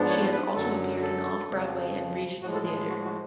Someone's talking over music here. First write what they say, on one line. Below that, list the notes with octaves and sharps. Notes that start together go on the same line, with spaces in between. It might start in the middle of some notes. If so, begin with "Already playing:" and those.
She has also appeared in off-Broadway and regional theater.
Already playing: G#2 F3 B3 D4
C#5
B4
F#2 D3 F#3 A4
A4
F2 C#3 F3
A2 F3 G#3 F#4
A4
G#4
F#4
F#4